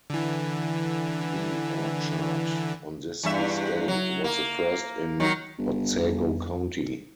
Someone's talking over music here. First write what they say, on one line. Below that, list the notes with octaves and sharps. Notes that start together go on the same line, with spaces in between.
The "orchard" on this estate was the first in Otsego County.
D3 E3
E2 G2 E5
F#3
A#3
D#3 F#3
G1
F2